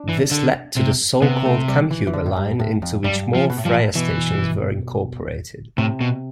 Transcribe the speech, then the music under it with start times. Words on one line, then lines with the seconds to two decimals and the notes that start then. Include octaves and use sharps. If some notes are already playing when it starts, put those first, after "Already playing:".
This led to the so-called Kammhuber Line into which more "Freya" stations were incorporated.
Already playing: D4
0.09 E3
0.31 D3
0.77 C3
1.22 C3 B3
1.46 A3
1.68 G3
1.91 E3
2.07 E3
2.13 D3
2.26 A2
2.36 G2
2.59 A2
2.82 F2
3.04 G2 G3
3.35 F3
3.50 B2
3.57 A2
3.65 G2 F3
3.74 A2
3.95 B2 E3
5.78 A2 C3
6.01 B2